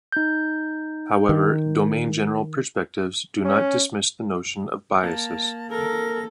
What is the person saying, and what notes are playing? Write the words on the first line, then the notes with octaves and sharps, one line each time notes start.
However, domain-general perspectives do not dismiss the notion of biases.
D#4 G6
D#3
C#4
A#3 A5
A4 A#4 A#6